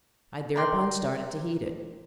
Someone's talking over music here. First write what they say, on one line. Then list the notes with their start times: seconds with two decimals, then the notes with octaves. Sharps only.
I thereupon started to heat it.
0.56 A#4 D5 G5 C6